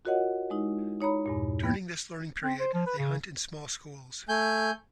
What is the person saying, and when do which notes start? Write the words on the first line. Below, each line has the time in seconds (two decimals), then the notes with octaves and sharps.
During this learning period, they hunt in small schools.
0.05 F4 F#4 A#4 C#5 D#5 F#5
0.50 G#3 D#4 E4
1.01 D#4 C#5 A#5 B5
1.26 E2 G2 A#2
1.63 A#3 B3 G5 G#6
2.43 C4
2.60 C5
2.74 F3
2.86 B4
2.98 C#3
4.29 A3 G#5 G6